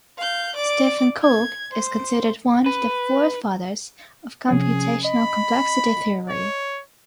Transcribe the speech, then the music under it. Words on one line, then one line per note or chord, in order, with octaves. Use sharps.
Stephen Cook is considered one of the forefathers of computational complexity theory.
F5 G6
D5 D6
G#6
C5
B4
C3 F3 C#4 G#4
D#5 B5
C#5